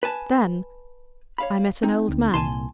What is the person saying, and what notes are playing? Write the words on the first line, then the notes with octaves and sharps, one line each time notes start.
Then I met an old man.
B4 G#5 A5
C#5 F5 B5
C4 D#4
D2
C2 A#2 G#5 A5 C6